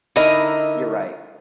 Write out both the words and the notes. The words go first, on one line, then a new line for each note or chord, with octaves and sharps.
You're right.
D3 D#4 E4 A#4 D#5